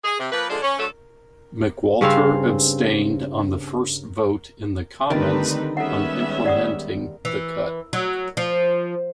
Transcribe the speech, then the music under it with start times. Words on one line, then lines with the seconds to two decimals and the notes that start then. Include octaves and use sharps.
McWalter abstained on the first vote in the Commons on implementing the cut.
0.04 G#4
0.20 C3
0.32 F3 A#3 B4
0.50 D3 F3 G#3 D4 F4
0.62 C#4
0.79 D3 F#3 A3 A4 C#5
2.01 G2 C#3 C4 F5
5.10 D3 D#3 G3 A3 C4 D4 D#4 B4
5.77 G3 G#3 B3 C#4 A4 E5 F#5
6.46 D5 F#5 D#6
7.25 E3
7.93 F#3
8.37 F3